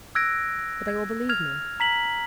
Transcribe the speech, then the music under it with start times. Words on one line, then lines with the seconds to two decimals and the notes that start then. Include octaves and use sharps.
But they will believe me.
0.15 E6 F#6 G#6 A#6 D7
0.88 G#6
1.29 F6 G#6 F7
1.80 A#5 B6 F#7